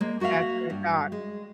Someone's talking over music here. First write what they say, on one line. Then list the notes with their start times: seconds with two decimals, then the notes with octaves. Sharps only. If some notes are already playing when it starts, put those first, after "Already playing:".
Th that's what I thought.
0.01 G#3 A#3
0.20 A#3 F#4 D5 E5 F5
0.70 G2
1.12 G#3